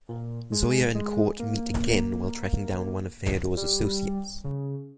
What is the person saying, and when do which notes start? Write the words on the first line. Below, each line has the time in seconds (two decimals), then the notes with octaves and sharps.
Zoya and Court meet again while tracking down one of Feodor’s associates.
0.09 A#2
0.52 G#3
0.95 G#3
1.39 A#3
3.57 G3
4.44 C#3